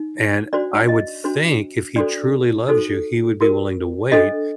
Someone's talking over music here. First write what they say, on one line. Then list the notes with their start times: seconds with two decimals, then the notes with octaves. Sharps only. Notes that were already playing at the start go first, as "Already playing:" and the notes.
And I would think if he truly loves you, he would be willing to wait.
Already playing: D#4
0.53 D4 F#4 C5 D5
0.88 D#5
1.24 D4 F#4 C5
1.96 D4 F#4 A4 C5 D5
2.68 D#4 F#4 A4 C5
3.41 F#4 A#4
4.12 D4 A4 C5 D#5